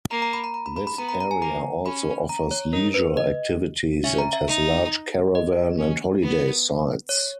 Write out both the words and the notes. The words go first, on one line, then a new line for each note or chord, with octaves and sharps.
This area also offers leisure activities, and has large caravan and holiday sites.
A#3 A#5
A#5
B5
A#5
A#5
B5
B5
B5
B3 A#5
A#5
A#5
G#5
A#3 A#5
C#4 B5
A#5
C#5
D#4 A#4
B4
D#5
C#4 E5
A#5
E5
D#4
D#5
C#4
B3
C#5